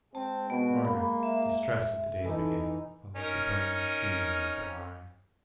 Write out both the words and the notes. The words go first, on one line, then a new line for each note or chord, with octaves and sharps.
Margaret, distressed at the day's beginning, followed the Bournemouth steamer with her eyes.
G#3 C4 A5
B2 B3
A#3 B5
E5
E3 D#4 A4
C#4 D#4 A#4